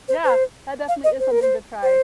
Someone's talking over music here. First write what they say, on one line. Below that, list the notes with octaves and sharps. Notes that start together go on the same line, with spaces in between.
Yeah. That definitely is something to try.
C5
C5
F5
D#5
C5
A#4
C5
C5